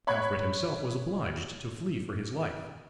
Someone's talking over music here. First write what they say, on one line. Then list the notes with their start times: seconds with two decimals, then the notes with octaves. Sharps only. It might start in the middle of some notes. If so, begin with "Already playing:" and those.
Alfred himself was obliged to flee for his life.
0.07 C#5 B5 C#6 F#6 G#6